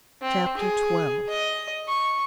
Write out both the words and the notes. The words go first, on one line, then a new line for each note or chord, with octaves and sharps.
Chapter XII.
C4
G#4
D#5
C#6